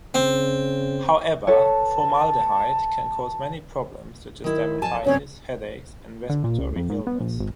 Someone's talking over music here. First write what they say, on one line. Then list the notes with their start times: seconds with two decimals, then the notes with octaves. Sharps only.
However, formaldehyde can cause many problems such as dermatitis, headaches, and respiratory illness.
0.14 C#3 C4
1.47 A4 B4 C#5 A5
4.44 D#3 E4
4.82 F2 G#5 A5
5.05 G2 C#3 C4 C#4 C#5
6.29 D3
6.44 A#2
6.59 C#2
6.76 F2
6.90 G#2
7.07 B3
7.20 A#1
7.40 G#1